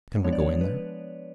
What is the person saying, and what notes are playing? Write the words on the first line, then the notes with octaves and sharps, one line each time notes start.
"Can we go in there?"
F3 G#3 B3 D4 C#5
D5
C#5
B4